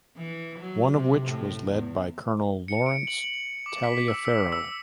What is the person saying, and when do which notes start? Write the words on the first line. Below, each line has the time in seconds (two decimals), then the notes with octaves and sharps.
One of which was led by Colonel Lawrence Taliaferro.
0.17 E3
0.58 F#3
0.94 C3
1.26 A2
1.70 E2
2.68 C#7
2.86 D7
3.07 F#7
3.24 F#7
3.66 D6
3.83 B6
4.08 E6
4.25 E6
4.52 E6